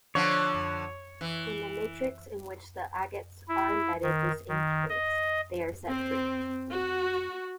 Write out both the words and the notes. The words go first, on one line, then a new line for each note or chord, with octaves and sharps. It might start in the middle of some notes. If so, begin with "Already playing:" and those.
When the matrix in which the agates are embedded disintegrates, they are set free.
D3 F3 C#5
E3
E4
D#3
D#3
D#5
C4
F#4